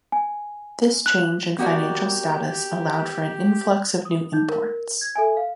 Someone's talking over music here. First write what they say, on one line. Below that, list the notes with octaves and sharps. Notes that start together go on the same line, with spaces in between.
This change in financial status allowed for an influx of new imports.
G#5
F#6
A#3 B3 F#4 G4 D5
D#6
D#4 G6
A#4
G#6
A4 E5 G#5
F5